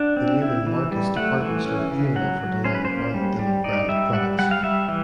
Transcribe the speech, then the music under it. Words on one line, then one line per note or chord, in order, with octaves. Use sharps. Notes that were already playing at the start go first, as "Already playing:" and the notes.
The Neiman Marcus department store even offered a line of Armadillo-branded products.
Already playing: D4 F#5
C4
E4
E3
G3
A3 F#5
E3
C#4
C#3
F#3 F#5
F#3
C#4 C5
B4
C5
A#3
G3
G3
D#4 D5
G3 E5
G3 F#5
G3 F#5
F5
G3 E5
E3